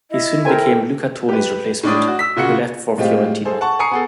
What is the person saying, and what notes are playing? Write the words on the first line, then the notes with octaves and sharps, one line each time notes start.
He soon became Luca Toni's replacement, who left for Fiorentina.
E4 D#5
A4 A#4 C5 G5 G#5
G4 B4
A2 D4 D5 D#6
F#4
E6 B6
A#2 C#3 F#4 C#7
A2 G#3 C4 F4 G4
G#4 A4 C5
F#5 A5 C#6
G#5 A#5 C#6 D#6 C7 C#7
B3 G#4 A4